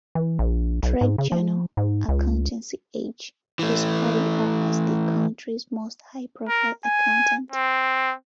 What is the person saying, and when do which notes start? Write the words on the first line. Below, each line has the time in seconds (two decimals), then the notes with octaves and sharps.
Trade journal "Accountancy Age" described her as "the country's most high profile accountant".
0.15 E3
0.39 A#1
0.83 B1
1.01 G#2
1.18 C#3
1.32 F3
1.77 G#2
2.09 C#2
3.59 E3 A3
6.48 A#4
6.85 G#5
7.52 C4